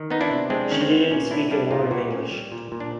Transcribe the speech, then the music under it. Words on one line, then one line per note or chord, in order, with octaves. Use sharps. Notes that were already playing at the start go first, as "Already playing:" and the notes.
She didn't speak a word of English.
Already playing: D#3
B3 D#4
D4 E4
C3
G#3 C4 D4
D#3 C#4
C4
B3
A#2 C#4
C4 D4 E4
G3 D4 E4
A#2 D#4 F4
A#2 E4 F#4
C4 C#4
G3
A#2
A#2
D4